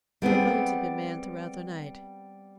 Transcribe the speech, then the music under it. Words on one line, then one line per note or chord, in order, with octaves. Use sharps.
The phones had been manned throughout the night.
G3 B3 C4 G#4